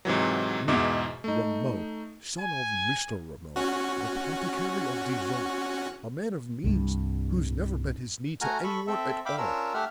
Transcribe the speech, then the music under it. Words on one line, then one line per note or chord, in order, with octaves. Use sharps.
Me, Rameau, son of Mr. Rameau, apothecary of Dijon, a man of means, who's never bent his knee to anyone at all!
G#2 C3 E3 F#3
E2 G#2 B2 E3 E5 D6
A3 D#4
G#5
C#4 F#4
C2 G2
A3 F#4 F#5 G#5 A#5 F6
A4 B5 C#6
C4 A4 E5
E5 F5 G5 B5 D6
C#4 D4 F4 A#4 E6
A3 G4 E5 F#5 F6